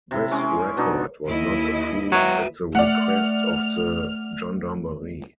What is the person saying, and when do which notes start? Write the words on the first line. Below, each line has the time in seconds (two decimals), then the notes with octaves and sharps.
This record was not approved at the request of the Gendarmerie.
0.11 C3 E4
0.31 G#3 C#4
0.77 B2 D4 D#4
1.27 D#2 E4 D#5
2.12 F#3 F#4 B4 E5
2.75 A3 D5 F#5 F6